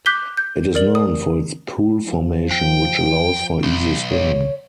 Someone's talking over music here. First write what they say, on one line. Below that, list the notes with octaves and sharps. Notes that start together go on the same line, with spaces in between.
It is known for its pool formation which allows for easy swimming.
D6 F#6 G6 B6 G7
G6
A#4 D5 F#7
D#6
F3
G5
B1
C#5